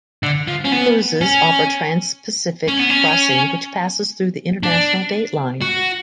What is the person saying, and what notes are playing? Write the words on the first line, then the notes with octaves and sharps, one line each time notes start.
Cruises offer transpacific crossing which passes through the International Date Line.
D3
F3
C#4
B3
C#4
C#4
B3
C#4
D4
F#4